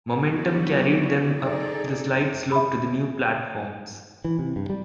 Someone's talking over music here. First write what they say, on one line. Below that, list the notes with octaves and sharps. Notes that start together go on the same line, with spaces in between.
Momentum carried them up the slight slope to the new platforms.
F#3 B3 D4 E4 F#4 G4
D#4 G#4 A4 D5
E5 B5
E3
C3
G2
G3